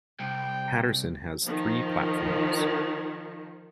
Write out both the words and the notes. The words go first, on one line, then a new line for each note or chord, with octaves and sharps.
Patterson has three platforms.
C2 G5
D#3 F3